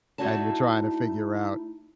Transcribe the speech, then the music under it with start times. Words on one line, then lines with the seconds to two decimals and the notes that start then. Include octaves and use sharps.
and you're trying to figure out
0.18 A3 D#4 E4 F#4 D5 A5